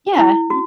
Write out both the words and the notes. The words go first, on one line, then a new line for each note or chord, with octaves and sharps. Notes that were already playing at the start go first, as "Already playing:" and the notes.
Yeah, y
E4
F#4